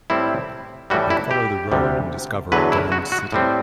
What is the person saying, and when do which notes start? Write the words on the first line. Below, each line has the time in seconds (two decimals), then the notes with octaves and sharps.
They follow the road and discover a domed city.
0.10 A2 G3 C4 E4
0.90 A2 E3 G3 F#4
1.10 E4
1.31 G4
1.72 D2 C3 G3
2.52 E2 D3 F#3 B4
2.72 E4
2.92 F#4
3.12 F#4
3.32 A2 G3 C4